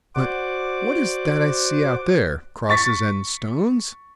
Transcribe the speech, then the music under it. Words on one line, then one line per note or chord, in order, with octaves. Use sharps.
"But what is that I see out there,--crosses and stones?"
F#4 C5 D5 F#5 D6
C#6 A6 B6